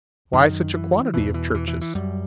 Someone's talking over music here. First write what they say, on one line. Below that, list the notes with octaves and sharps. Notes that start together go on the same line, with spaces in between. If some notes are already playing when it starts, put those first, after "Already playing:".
"Why such a quantity of churches?"
F#2 D#3
E3
E2 B2 E3
E3
E3
E3
E3
F#2 G3